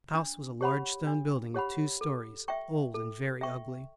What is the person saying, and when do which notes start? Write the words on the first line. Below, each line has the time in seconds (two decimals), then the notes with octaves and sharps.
The house was a large stone building of two stories, old and very ugly.
0.14 D4
0.61 G4 C#5 F#5 B5
1.07 D4
1.54 G4 C#5 F#5 B5
2.01 A4
2.48 E5 G5 C#6
2.94 A4
3.41 E5 G5 C#6